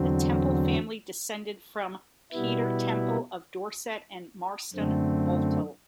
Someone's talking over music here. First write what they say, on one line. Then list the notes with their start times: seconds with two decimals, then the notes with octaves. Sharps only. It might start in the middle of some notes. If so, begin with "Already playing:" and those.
The Temple family descended from Peter Temple, of Dorset and Marston Boteler.
Already playing: E2 D3 F#3 C4
2.32 B2 G3 B3 E4
4.74 F#2 D3 A3 C4